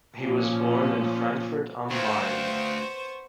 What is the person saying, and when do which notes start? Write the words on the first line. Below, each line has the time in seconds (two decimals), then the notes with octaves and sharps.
He was born in Frankfurt am Main.
0.20 A#2 F3 C#4
1.90 D2 B3 C5 F5 G5 C#6